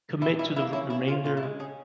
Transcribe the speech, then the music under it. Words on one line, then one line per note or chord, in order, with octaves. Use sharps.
commit to the re remainder
A#2 E4
G3 E4
A#3 E4
C#4 E4
A#3 E4
C#4 F4
A#2 F4
E4
G#3
C#4 G#4